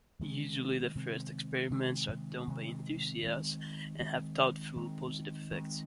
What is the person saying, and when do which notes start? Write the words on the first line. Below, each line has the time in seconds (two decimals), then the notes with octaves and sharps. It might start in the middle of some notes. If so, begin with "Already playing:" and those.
Usually the first experiments are done by enthusiasts and have doubtful positive effects.
0.19 C3 D#3 G#3 C4
0.95 C3 D#3 G#3 C4
1.70 C3 D#3 G#3 C4
2.47 C3 D#3 G#3 C4
3.23 D#3 G#3 C4
3.99 D#3 G#3 C4
4.76 D#3 G#3 C4
5.51 D#3 G#3 C4